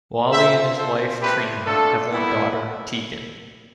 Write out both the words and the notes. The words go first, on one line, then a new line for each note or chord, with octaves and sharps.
Wahle and his wife, Trina, have one daughter, Teagan.
C4 F4 C5 E5
C4 F4 A4 C5
A3 C4 E4 G4 B4
A3 D4 F4 A4
G3 B3 E4